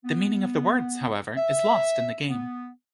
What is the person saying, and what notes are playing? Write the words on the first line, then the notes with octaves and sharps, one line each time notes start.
The meaning of the words, however, is lost in the game.
B3
E5
B3